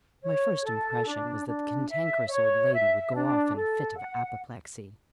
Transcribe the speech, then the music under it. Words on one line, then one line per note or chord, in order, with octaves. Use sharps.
My first impression was that the Cantankerous Old Lady would go off in a fit of apoplexy.
C#5
A4
D4
D4
E5
C#5
E5
D4
A4
F#5